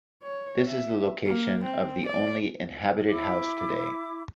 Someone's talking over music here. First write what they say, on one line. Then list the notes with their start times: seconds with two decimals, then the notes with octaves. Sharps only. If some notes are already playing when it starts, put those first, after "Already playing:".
This is the location of the only inhabited house today.
0.23 C#5
0.66 E5
1.26 A#3
1.64 C4
2.07 D5
3.09 E4 D6